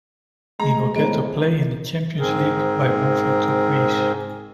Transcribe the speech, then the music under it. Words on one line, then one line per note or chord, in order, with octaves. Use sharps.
He will get to play in the Champions League by moving to Greece.
G#3 A3 G#4 A#5
A2 G#3 B3 C5 D#5
G#2 C4 G#4 A#4